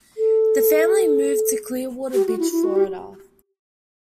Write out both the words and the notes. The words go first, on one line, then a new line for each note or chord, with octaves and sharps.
The family moved to Clearwater Beach, Florida.
A4
G4
F#4
E4
E4
F#4
G4